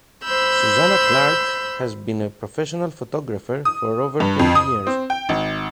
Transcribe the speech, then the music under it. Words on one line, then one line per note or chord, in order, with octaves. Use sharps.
Suzanna Clarke has been a professional photographer for over twenty years.
C5 B5 E6 G6
D#6
G2
F2
D#6
C4
G5
G#1